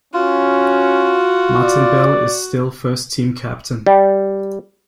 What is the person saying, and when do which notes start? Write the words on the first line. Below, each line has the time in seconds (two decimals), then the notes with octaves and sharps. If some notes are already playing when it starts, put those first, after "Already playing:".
Martin Bell is still first team captain.
0.14 C#4 F4 F#4
1.62 D5
3.87 G3